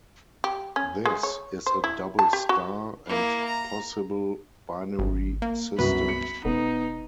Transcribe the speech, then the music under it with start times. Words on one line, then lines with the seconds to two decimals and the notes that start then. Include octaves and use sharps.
This is a double star and possible binary system.
0.44 G4
0.76 C#4
1.06 G#3
1.23 C#5
1.66 C5
1.84 E4
2.19 A5
2.33 G4
2.49 F#4
3.07 A#3 E4
3.44 A#5
4.99 G#1
5.42 A#3
5.79 C2 F#2 F#3 B3 B5
6.09 C#7
6.45 E1 B3 D#4